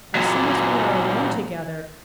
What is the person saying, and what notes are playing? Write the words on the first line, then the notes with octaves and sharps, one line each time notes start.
As soon as we are alone together.
A#2 F#3